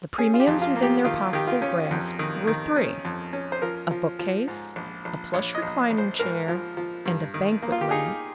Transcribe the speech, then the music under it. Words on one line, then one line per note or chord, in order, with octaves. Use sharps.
The premiums within their possible grasp were three: a bookcase, a plush reclining chair, and a banquet lamp.
C#4 G#4
F4
G4
F2
F4
A#3
G4
D#3 F4
D#3 G4
F4
C#4
F2
D#3
D#3
C#4
F2
C#4
C5
F3 A#4
F3
F3
G#2
A#1
A#1
A#1 C#5
D#5
A#1
A#1
C5
G#2 A#4
F3
F3
G2
D#3
A#3
F4
G4
D#4 G#4